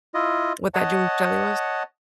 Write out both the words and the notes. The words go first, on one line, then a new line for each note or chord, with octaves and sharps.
what that June's Deli was?
E4 F4 D#5
C#5 D#5 F#5 A5